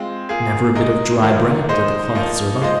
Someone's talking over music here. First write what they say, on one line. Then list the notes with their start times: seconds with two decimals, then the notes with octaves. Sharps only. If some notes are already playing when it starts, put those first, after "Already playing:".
But never a bit of dry bread did the cloth serve up.
Already playing: G#3 C4 F4
0.29 A#3 F4 G#4
0.75 G#3 D#4 A#4 D#5
1.22 D#3 A#3 F4 A#4
1.69 G#3 D#4 C5 D#5
2.15 F3 A#3 D#4
2.61 G#3 F4 C5 D#5